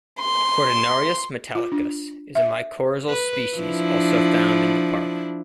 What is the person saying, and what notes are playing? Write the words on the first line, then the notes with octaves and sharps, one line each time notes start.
"Cortinarius metallicus" is a mycorrhizal species also found in the park.
C6
F4
D4
E5
B4
F3 D4 E4